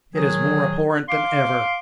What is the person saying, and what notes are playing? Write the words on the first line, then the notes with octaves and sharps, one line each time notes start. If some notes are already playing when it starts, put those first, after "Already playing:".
It is more abhorrent than ever.
D#3 F#3 G#4
F5 C6 D6